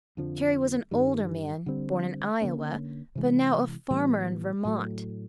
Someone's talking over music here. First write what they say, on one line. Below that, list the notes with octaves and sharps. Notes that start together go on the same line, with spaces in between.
Cherrie was an older man, born in Iowa, but now a farmer in Vermont.
F2 D3 F3
G2 D#3 G3
D3 G3 C4
D3 F3 A#3 C#4
C3 E3 G#3
A2 E3 G3 B3
A2 F#3 A3